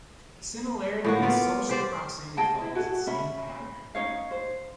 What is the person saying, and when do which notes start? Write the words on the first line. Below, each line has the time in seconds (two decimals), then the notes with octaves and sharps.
Similarly, "social" proximity follows the same pattern.
1.05 A2 A#3 F#4
1.22 B3 F4 D5
1.69 G4 C5 D5
2.37 G#4 D#5 G5 A5
2.61 E4
2.75 F#4 G#4 A4
3.07 C#4 E5 B5
3.95 C#4 D#4 C#5 F5
4.31 C5